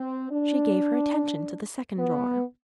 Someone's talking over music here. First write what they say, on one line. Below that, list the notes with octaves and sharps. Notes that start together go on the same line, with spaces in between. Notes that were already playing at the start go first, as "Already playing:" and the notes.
She gave her attention to the second drawer.
Already playing: C4
D4
B3